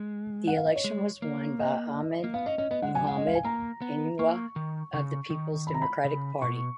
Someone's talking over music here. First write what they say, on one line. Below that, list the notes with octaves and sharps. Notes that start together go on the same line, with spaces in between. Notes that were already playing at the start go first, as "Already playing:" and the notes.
The election was won by Ahmed Mohammed Inuwa of the Peoples Democratic Party.
Already playing: G#3
F#5
F5
D#5
C#5
G#3
A#3
D#5
A#3
B3 F5
C#4 D#5
C#4 D#5
B3 D#5
G#3 F#5
F#3 G#5
G#3 F#5
D#5
F5
G#5
A#3 A#5
B3
A#3 C#6
D#3
C#3 C#6
D#3
B5
A#5
B5
C#3
B2 C#6